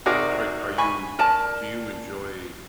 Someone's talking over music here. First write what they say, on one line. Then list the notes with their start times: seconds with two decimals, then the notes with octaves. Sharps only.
Are are you do you enjoy
0.06 C3 D#4 F#4 G#4 A#4 D5
0.78 G#5 B5 C#6
1.19 A#4 D5 A5